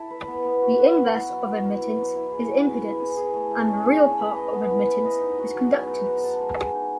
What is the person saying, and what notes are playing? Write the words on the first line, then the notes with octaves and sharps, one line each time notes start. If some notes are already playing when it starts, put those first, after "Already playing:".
The inverse of admittance is impedance, and the real part of admittance is conductance.
Already playing: E4 A4 E5
B4
B3
B3
F#4
B4
B3
E4
F#3
F#3
B3
E4
F#3
E4
G#4
F#3
B3
E4
G#4
G#4
A3
A3
C#4
G#4
A3
B4
D#5
B3
E4
B4
D#5
D#4
F#4
F#3
B3
D#4
F#4
A4
G#3
G#3
D#4